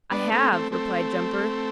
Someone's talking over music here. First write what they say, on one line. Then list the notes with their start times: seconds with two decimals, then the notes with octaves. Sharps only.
"I have," replied Jumper.
0.11 B3 D4
0.32 A3 C4
0.52 A3 C4
0.72 A3 C4